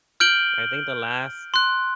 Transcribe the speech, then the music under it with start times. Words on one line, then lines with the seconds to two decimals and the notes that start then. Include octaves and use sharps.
I think the last
0.20 F6 G6 D7 F#7 G7
1.54 C6 F#6